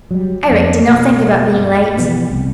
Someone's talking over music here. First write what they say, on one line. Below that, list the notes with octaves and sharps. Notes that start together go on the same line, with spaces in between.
Eric did not think about being late.
F#3 G3
F2
B2 A#3
G2
B2 E3 F3 B3
C2